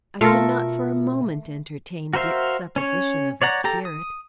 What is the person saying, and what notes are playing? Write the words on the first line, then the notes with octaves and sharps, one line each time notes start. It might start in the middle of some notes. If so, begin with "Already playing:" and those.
I could not for a moment entertain Dick's supposition of a spirit.
B2 A3 F4 A4 A#4
F#4 A#4 C5 E5 F5
C#4 C#5
C#5 D5 F#5 A#5
G4 A4 A#5
D#6